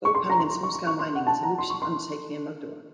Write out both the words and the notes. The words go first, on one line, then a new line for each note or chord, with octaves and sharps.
Gold panning and small-scale mining is a lucrative undertaking in Magdiwang.
C#6
C6
A#5
C6
C#6
C#6
C#6
C6
F#5
A5
A#5
C6
C#6
C6